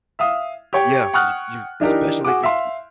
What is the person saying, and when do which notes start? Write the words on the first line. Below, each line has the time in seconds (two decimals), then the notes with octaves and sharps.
Yeah, c you you especially if it's y
0.19 E5 F5 D#6
0.73 G4 C#5 G5
1.13 F#5 G5 C#6 D#6 F6 F#6
1.80 E3 D4 D#4 G4 A#4
2.25 F#4 G#4 F#5 D6
2.43 E5 F5 C6